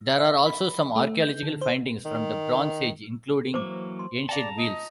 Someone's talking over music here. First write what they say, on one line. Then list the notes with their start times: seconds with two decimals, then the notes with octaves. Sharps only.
There are also some archaeological findings from the Bronze Age, including ancient wheels.
0.18 E5
0.46 B5
0.96 A3
1.22 G6
1.43 D3
1.61 C5
2.05 D#3
3.54 E3 F#3 A#3 C5 D6
3.99 C6
4.29 D5 F5 G5 A5 A#5
4.57 D#5